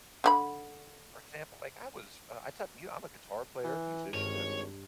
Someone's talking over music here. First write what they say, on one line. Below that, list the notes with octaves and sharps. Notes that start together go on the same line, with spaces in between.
For example, like, I was uh, I taught mu I'm a guitar player, musician, I've
D3 G4 B5
E3
G#1 G2 C#5